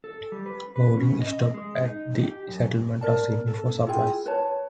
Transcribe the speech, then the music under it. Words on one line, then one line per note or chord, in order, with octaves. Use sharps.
Baudin stopped at the settlement of Sydney for supplies.
A4
G3
B4
B4
C#4
D#5
G#3
D#4
G4
F#2
A#4 D5 A5
A4
E4 F4 G#4 G5
B4 C#5 A5